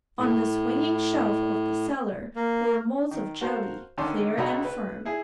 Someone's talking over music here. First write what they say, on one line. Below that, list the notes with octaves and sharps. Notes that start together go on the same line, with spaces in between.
On the swinging shelf of the cellar were moulds of jelly clear and firm.
A2
A#3
D#3
F#4 A#4 C5 F5 A5
D3 D#3 C#4 A5 C6 D6
C#2 A3 F#4 D#5 A#5 B5
B4
E4 G#4